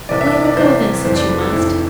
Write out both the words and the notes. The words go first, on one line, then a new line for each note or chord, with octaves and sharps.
'Well, go then, since you must.
C2 C3 E3 D5
E5
D5
D5
C2 C3 E3 C5
F1 F2 E3 C5
D5
B4
A4
F1 F2 E3 E4